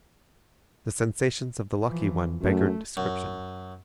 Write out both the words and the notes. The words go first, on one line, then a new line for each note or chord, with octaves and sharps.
The sensations of the lucky one beggared description.
E3 F3
F#2 A3
F#2